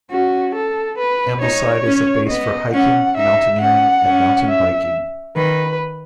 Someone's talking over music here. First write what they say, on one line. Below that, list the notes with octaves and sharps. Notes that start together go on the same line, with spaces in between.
Ambleside is a base for hiking, mountaineering and mountain biking.
C#4 F#4
A4
B4
D#4 C#5
C#4
B3 D#5
C#4 F#5
D#4 E5
C#4 F#5
C#4
E5
D#3 B4